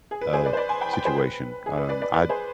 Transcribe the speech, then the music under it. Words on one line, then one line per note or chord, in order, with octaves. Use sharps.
uh, situation. Um, I
G#4
B4
G#4 C5
B4 D5
C5
B4 D5
G#5 C6
G5 B5
G5 B5
G#4 C5
B4
G#4
B4
B4 D5
B4 D5
B4 D5
G#4 C5